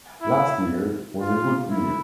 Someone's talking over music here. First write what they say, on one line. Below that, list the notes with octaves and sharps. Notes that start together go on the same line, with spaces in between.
Last year was a good year.
E4
F4
E4